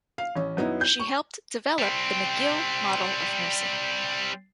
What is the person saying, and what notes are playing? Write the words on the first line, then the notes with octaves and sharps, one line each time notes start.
She helped develop the McGill Model of Nursing.
F5
A1 C#4
F#2 B3 D#4 E4
G6
C#6
G3 C4